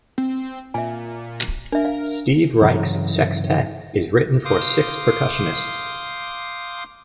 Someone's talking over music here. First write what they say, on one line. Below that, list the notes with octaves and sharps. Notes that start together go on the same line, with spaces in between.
Steve Reich's "Sextet" is written for six percussionists.
C4
A#2 E5 G#5
D4 A#4 E5
F5
G2 C#3 E3 F#3
F5 C6 D6 D#6 G6